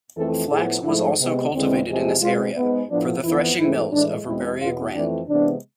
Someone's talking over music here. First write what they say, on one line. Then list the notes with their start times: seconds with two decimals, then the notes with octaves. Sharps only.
Flax was also cultivated in this area, for the threshing mills of Riberia Grande.
0.17 F2 E3 A3 C4 A4
0.51 A2 F3 B3 G#4
0.85 G#2 F3 A3 E4
1.19 C3 G#3 B3
1.53 E2 D3 G#3 C4
1.88 E2 C3 F3 G#3
2.22 B2 G#3 C4 F4
2.56 G#2 G#3 B3
2.90 A2 F3 B3 D4
3.23 F2 E3 B3 E4
3.58 G#2 E3 A3 C4 E4
3.92 A2 E3 G#3 D4
4.26 E2 B2 G#3 C4 E4
4.60 E2 B2 B3 F4
4.94 F2 E3 A3 C4 D4
5.28 C3 E3 G#3 B3 D4